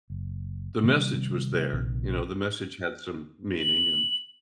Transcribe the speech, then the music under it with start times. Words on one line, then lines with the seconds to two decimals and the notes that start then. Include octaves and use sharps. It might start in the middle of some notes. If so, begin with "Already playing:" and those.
the message was there. You know, the message had some meaning and
0.10 F#1
0.84 C3 D#3 G3
1.73 A#1 C3 D#3
3.60 F#7